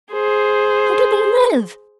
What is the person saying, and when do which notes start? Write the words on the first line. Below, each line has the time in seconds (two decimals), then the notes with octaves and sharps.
How do they live?
0.12 G#4 C5